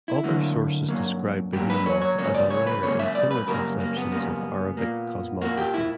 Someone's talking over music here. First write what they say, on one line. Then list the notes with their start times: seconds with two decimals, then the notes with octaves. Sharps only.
Other sources describe Behemoth as a layer in similar conceptions of Arabic cosmography.
0.08 E4
0.23 D2 D3 F#3 A#3
0.89 G2 F#3 A#3
1.53 G2 F#3 A#3 G4
1.70 B4
1.86 C#5
2.02 C#5
2.18 C#2 C#3 F#3 A#3 C#5
2.34 D5
2.50 C#5
2.67 B4
2.83 C#2 C#3 F#3 A#3 C#5
2.99 E5
3.15 D5
3.31 B4
3.47 F#2 C#3 G3 A#3 A#4
3.80 A#3
3.97 B3
4.12 F#2 C#3 G3 A#3
4.77 A#2 A#3
5.42 A#2 A#3 F#4
5.58 G4
5.74 E4